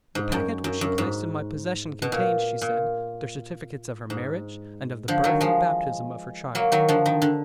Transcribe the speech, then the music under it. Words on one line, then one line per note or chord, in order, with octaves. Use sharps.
The packet which she placed in my possession, contained, she said, the certificates of her marriage, and of the birth and baptism of her child.
G#2
F#2
F#2
F#2
G#2
B2
A#2
A#2
G#2
D3 F3
D#3 F#3
F3 G#3
F#3 A#3
D#3 F#3
D3 F3
D#3
D3